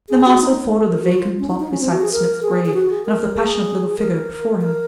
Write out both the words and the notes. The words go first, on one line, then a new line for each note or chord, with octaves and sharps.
The master thought of the vacant plot beside Smith's grave, and of the passionate little figure before him.
G#4
F#4
D#4
A#4
F#4
F4
C#4
D#4
D#4
C#4
C4
F#4
G#4
A#4
G#4
G#4
F#4
G#4
A#4
G#4
A#4
A#4